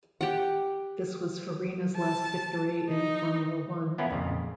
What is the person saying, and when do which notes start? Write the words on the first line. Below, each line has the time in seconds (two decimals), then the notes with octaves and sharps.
This was Farina's last victory in Formula One.
0.21 G4 F#5
1.97 A5
2.89 D#4
3.98 B3 C#4 E4 F4 A#4
4.11 F2 A#2 C#3